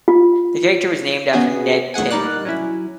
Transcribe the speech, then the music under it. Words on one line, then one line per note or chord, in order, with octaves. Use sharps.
The character was named after Ned Tanen.
F4
B3 C#4 F#4 G#4
A3 G#4 F#5 G#5
G3 D#4 A#4 D5 F#6
F#3 C#4 E4